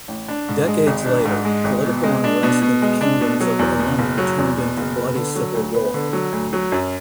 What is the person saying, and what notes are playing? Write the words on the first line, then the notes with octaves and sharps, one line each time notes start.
Decades later, political unrest in the kingdoms of Elemen turned into bloody civil war.
A1
D4
G#2
G#3
G#1
D4
G#2
G#3
G#1
B2
G#3
D4
B2
B2
G#3
D4
B2
F#3
E2
B2
F#1
F#3
E2
B2
F#1
B3
D3
F#3
D2
B3
D3
F#3
D2
F#3
F#2